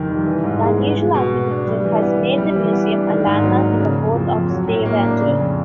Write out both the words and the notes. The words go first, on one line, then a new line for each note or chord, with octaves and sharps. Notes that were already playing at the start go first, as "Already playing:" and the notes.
The unusual architecture has made the museum a landmark in the Port of Stavanger.
Already playing: F2 C3 D#3
G3
E3
G#2
G#3
B3
G#3
B2
B3
D4
G3
E3
B3
E3
G3
E3
B3
D4
D#3
G#2
F#3
A#3
C#3
F2
F3
F2
F#3
A2
A#3
D4
C#3
F2